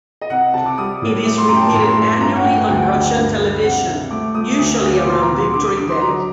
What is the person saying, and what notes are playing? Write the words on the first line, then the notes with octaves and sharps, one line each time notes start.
It is repeated annually on Russian television, usually around Victory Day.
D#5
C2 F#5
C3 A5
D6
G3 D#6
A2
A3 D6
C6
F#2 A#5
G5
A5
A2 C6
A#5
C6
A3
G2 A#5
F#5
A3 G5
D2 G5
F#5
G5
D2 F#5
G2
G3
C3 F#5
C3
A3 D6
A3 D#6
D2 D#6
D2
D6
A#2 C6
A#5
C2
C6
D3 D6
D#6
D3 D6
C6
F#3 A#5